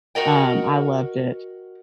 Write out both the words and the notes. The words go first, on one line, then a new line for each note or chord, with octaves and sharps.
Um, I loved it.
F#4 A#4 D#5 G5